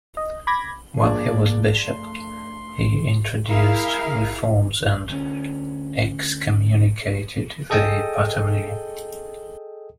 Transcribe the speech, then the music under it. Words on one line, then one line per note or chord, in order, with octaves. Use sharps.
While he was bishop, he introduced reforms and excommunicated the Patarini.
D#5
B5 D6 G#6 A#6
G2 F3 A#3 D4 G#4 D5
A3 C6
E4 G#4 A#4 F5
D2 C#4
G#4 A4 D#5 G5 A5 D#6